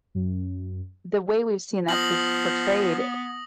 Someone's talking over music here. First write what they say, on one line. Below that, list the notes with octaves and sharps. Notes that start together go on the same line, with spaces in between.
the way we've seen that por portrayed,
F#2
F3 B3 D#6 A#6 F#7